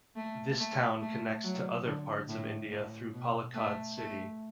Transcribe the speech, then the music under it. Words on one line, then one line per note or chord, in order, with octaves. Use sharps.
This town connects to other parts of India through Palakkad city.
A3
A3
A3
F#3
D3
A2
A2
B2
A3
A3